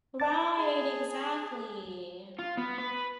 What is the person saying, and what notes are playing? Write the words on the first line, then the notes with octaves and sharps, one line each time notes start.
Right, exactly.
A5 D6 A6
G#4
F4
B3
B4